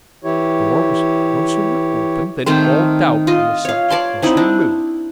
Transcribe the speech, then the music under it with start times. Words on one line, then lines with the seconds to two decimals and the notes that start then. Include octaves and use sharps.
The door was no sooner opened than all doubt on the subject was removed.
0.24 E3 E4 G4 C#5
2.46 D#3 A3 C4 C5
3.27 F4 D#5
3.65 C#5 F5
3.90 C#5 D5 A5 C6
4.22 C4 D#4 E4 D5
4.37 D4